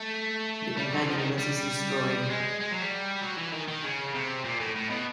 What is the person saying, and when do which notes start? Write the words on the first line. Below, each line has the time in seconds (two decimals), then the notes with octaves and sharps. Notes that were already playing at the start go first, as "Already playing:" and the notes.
The entire universe is destroyed.
Already playing: A3
0.77 G3
0.92 F#3
1.01 E3
1.07 F3
1.17 D#3
1.37 G3
2.30 G#3
2.60 G#3
2.71 F#3
2.81 G3
3.22 F#3
3.38 E3
3.53 D#3
3.68 D#3
3.84 C#3
4.14 C3
4.44 A#2
4.60 A2
4.76 A2
4.90 B2